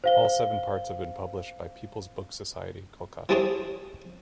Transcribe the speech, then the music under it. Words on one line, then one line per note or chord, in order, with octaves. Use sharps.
All seven parts have been published by Peoples's Book Society, Kolkata.
C5 F5 G7
E3 G3 D4 G#4 C5 C#5